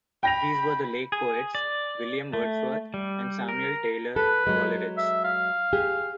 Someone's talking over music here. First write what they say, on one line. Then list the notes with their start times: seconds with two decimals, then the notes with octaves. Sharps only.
These were the Lake Poets William Wordsworth and Samuel Taylor Coleridge.
0.23 G5 B5 A#6 F7
1.12 G#4
1.55 D5
2.33 A3
2.94 G3
3.49 A#4
4.16 A4 B4
4.47 F#3 G#3
4.98 E5
5.25 F5
5.73 G4 G#4